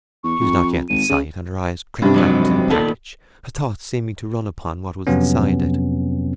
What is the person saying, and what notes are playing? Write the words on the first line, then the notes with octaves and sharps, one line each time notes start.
He was not yet in sight; and her eyes crept back to the package, her thoughts seeming to run upon what was inside it.
E2 C#6
F2
G#1 D#7
C#3
G2 C3 D4
F2 G#2 F#3
A#2 D#3 B3 A4
F2 C3 F#3 B3 C#4